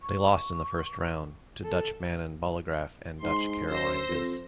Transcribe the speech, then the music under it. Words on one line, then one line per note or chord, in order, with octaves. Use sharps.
They lost in the First Round to Dutch Manon Bollegraf and Dutch Caroline Vis.
C#6
A4
G#2 C6
F#2 C5 E6 A#6
F2